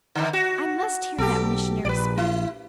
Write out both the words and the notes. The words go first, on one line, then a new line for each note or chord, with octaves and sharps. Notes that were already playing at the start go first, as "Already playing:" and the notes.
I MUST hear that missionary speak.
D3 D#3
F#4
B1 G4 A4
A#1 B4 D5
E4